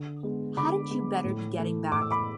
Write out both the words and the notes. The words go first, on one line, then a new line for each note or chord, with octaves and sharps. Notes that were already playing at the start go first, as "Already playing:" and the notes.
Hadn't you better be getting back?
Already playing: D3
G#3 B3
D3 B5 D6
G#3 B3
A2
E3 A3
A2 D6
E6
B5 D6